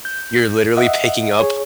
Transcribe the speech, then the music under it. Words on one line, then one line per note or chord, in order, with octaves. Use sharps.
you're literally picking up
G6
D#5 E5 F#5
G#4 C#5